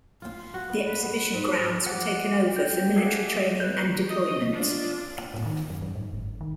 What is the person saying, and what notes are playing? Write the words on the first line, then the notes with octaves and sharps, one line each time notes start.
The Exhibition Grounds were taken over for military training and deployment.
F4
F#4
B3
B4
B3
G#2
F#5 D6
G5
G#4 A4 E5 F#5 D6
B4 G6
D#5
D4 F4
A2
D#3
F#2
F#2
G#2
G1
D#3